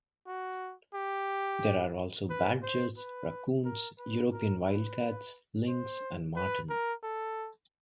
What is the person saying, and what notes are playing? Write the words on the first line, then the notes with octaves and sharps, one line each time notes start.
There are also badgers, raccoons, European wildcats, lynx and marten.
F#4
G4
B4
C5
B4
A#4
B4
A#4
B4
C5
B4
A#4
A4